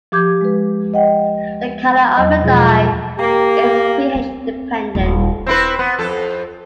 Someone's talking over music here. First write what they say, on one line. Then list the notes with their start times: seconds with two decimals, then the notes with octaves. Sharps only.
The color of the dye is pH-dependent.
0.12 F3 G4 D6 G6 G#6
0.41 G#3 B4
0.94 D#5 F#5 G5
2.16 E2 F#3 D#5
2.42 B2 F3 G#3 F4 G#4
3.18 A#3 G4
4.15 C4
4.95 D#1 E4
5.46 C4 E4 B4
5.79 B3
5.99 F2 A4